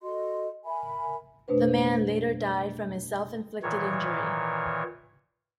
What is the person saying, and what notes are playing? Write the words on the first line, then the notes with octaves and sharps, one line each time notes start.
The man later died from his self-inflicted injury.
F#4 A4 D#5 C6
A#4 E5 G#5 B5
F2 B2 A3 D4 B4 C5
A#2 D#3 E3 C#5